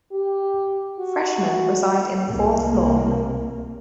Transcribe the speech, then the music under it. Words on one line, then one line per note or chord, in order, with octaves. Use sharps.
Freshmen reside in the fourth floor.
G4
F#4
C2 A#3